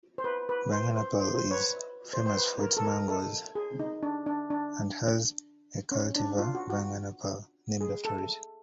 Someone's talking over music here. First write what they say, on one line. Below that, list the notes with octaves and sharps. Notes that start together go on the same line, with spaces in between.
Banganapalle is famous for its mangoes and has a cultivar, "Banganapalle", named after it.
C5
B4
B4
C5
C5
C5
C5
B4 C#5
C5
C5
B4
A#4
A4
A#4
A4
G#4
D#4
D4
D4
D4
C#4
D4
F4
F#4
F#4
G#4
A4